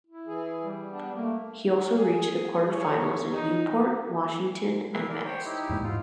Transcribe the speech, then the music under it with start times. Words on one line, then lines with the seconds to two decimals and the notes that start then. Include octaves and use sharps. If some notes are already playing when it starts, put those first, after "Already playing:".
He also reached the quarterfinals in Newport, Washington and Metz.
0.07 E4
0.27 E3 G#4
0.62 G3
0.91 B3 D4
1.15 A3 A#3
1.96 G#4
2.73 C#5
3.33 D#4
4.93 E4 A#4 B4
5.09 A#4 D5
5.25 C5 C#5 G5
5.45 D#4 E4 G4
5.69 E2 A2 G#3
5.83 G#2 F4